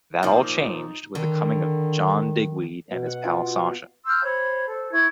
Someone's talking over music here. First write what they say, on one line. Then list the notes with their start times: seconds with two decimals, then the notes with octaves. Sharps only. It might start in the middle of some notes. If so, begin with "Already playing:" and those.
That all changed with the coming of John Digweed and his pal Sasha.
0.23 A#2 F3 D#4
1.15 D3 D#3
2.91 B2
3.06 F#5
3.25 F4
3.55 F5
4.05 C6 E6 F6 G6
4.23 C5 C#5 B5
4.67 A4 C5
4.92 E4 C#6 G#6